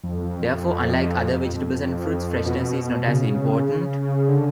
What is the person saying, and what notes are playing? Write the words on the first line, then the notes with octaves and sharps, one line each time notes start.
Therefore, unlike other vegetables and fruits, freshness is not as important.
F2
F2
F2
B2
C#3
D3